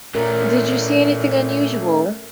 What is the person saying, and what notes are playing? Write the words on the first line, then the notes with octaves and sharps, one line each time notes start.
Did you see anything unusual?
A#2 A3 C#4 A#4